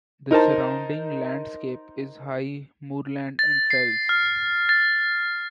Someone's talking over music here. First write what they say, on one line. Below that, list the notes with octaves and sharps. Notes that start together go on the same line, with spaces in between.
The surrounding landscape is high moorland and fells.
D#4 A#4 C5 A5
A6
C7
F6
A6